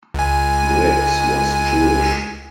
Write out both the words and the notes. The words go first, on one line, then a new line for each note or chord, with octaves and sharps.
Griggs was Jewish.
C#2 G#5